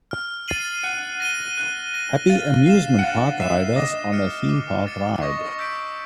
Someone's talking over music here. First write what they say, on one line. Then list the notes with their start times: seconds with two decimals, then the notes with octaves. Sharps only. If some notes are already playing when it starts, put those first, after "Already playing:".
Happy Amusement Park riders on a theme park ride.
0.11 F6
0.48 A6 C7 D#7 F#7
0.83 F#5 F#6
1.20 A#6 D#7 G7
1.58 F#6
1.94 A#6 D#7 G7
2.29 F5 A6
2.66 F5 C7 E7
2.99 F#5
3.03 F5 A6
3.40 E5 C7 E7
3.76 D#5 D6
4.12 F6 A6 C#7
4.49 D6
4.86 F6 A6 C#7
5.22 D#5 C#6
5.58 E6 G6 B6 D7